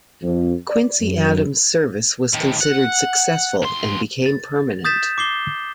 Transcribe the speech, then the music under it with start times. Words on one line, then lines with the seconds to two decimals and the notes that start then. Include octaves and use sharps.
The Quincy Adams service was considered successful and became permanent.
0.22 F2
0.68 D5
1.00 F#2
2.34 A2 D#3
2.61 F#5
3.62 D#2 C6
4.26 A6
4.85 D#6 G6 A6 B6 E7
5.18 D6 C7 G7